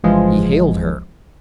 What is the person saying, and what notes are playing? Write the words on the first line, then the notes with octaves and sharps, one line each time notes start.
He hailed her.
G1 E3 F3 G#3